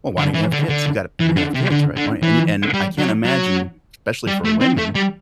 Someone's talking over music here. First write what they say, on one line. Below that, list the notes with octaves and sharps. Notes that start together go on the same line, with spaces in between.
"Well, why don't you have kids? You gotta you're gonna have kids, right? Why" And e and I can't imagine especially for women
D3
E3
D3
D3
E3
D3
C3
D3
D3
E3
G3
F#3
F#3
G3
A3
C4
A3
G3